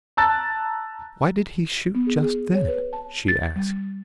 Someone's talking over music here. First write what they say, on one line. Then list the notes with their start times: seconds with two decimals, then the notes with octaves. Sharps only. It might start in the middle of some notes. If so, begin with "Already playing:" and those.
"Why did he shoot just then?" she asked.
0.17 A5 A#5 E6 F#6 A6
1.95 B3
2.07 G#4
2.23 G#4
2.54 C#5
2.68 B4
2.93 A5
3.28 A6
3.56 G3